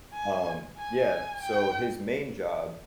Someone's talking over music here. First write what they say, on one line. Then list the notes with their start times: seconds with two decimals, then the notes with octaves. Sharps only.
Um, yeah. So, his main job
0.14 G#5
0.78 G#5
1.43 G5